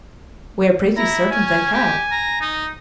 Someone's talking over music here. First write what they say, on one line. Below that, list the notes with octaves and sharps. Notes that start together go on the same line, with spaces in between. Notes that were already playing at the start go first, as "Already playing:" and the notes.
"We are pretty certain they have."
E4 A#5
C#4 G#5
G4
A#5
D#4